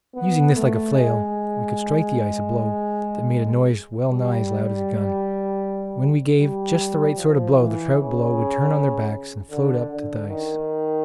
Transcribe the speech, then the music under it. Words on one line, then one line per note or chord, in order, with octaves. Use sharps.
Using this like a flail, we could strike the ice a blow that made a noise well-nigh as loud as a gun. When we gave just the right sort of blow, the trout below would turn on their backs and float up to the ice.
B3
A3
G#3
G3
G3
F3
E3
C#3
D3
D3
D#3